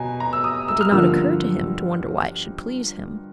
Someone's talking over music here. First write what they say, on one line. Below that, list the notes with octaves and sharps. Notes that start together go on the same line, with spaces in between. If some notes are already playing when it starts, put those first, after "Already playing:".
It did not occur to him to wonder why it should please him.
Already playing: B2 B3 G#5 A#5
A#5
E6
D#6
E6
F6
G2 D3 F3 A#3 E6